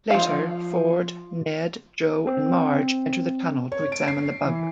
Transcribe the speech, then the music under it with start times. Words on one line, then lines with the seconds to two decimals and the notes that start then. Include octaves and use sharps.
Later, Ford, Ned, Joe and Marge enter the tunnel to examine the bug.
0.10 F3 F5
2.27 C4
3.72 C#5
3.92 D7
4.08 C7
4.44 E3